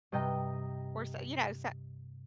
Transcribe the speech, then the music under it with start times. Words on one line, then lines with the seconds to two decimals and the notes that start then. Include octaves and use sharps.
or so you know, s
0.12 G2 C3 D#5 G5 A#5